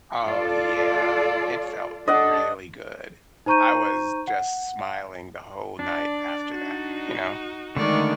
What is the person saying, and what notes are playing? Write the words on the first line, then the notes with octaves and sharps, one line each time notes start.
Oh, yeah. It felt really good. I was just smiling the whole night after that, you know,
F4 A4 D5
D4 A4 D#5 F#5
D#4 C5 A#5 C#6 G6 D#7
F#5
D4 D5
D#4 F#4
D3 D#3 G#3 A3 D4 D5 F5 C#6